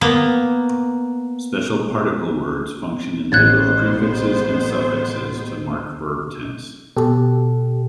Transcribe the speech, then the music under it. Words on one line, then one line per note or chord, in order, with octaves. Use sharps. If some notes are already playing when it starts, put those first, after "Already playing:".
Special particle words function in lieu of prefixes and suffixes to mark verb tense.
A#3 B3
A1 A3 B3 C5 F#6 G#6 A6
B2 G4 A4